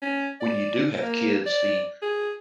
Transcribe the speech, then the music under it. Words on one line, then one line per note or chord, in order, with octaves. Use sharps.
when you do have kids, the
C#4
D5
A#3
D5
G#4